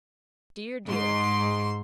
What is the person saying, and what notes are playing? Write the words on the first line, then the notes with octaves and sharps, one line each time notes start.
Dear, dear!
G#2 C6